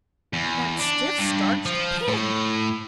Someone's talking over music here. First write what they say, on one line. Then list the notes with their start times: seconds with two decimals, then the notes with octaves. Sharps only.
'That stiff-starched PIG!'
0.33 E2
0.79 D4
1.19 G2
1.66 F3
2.08 A2